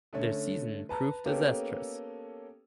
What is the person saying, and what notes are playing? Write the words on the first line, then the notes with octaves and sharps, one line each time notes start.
The season proved disastrous.
D3 A3 C#4
B4 A5 A#5
A#3 B3 C#4 G4 A4